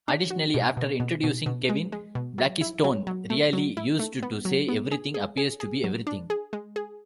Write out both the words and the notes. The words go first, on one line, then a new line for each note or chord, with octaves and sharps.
Additionally, after introducing Kevin Blackistone, Reali used to say Everything appears to be everything.
D4
F#4
B2
B2
B2
B2
B2
G#3
G#3
B2
F#3
E4
F#3
F#3
A3
F#3
E4
A3
B3
F#3
B3
G#4
G#4
G#4
G#4
F#3
D4
G#4
G#3
G#4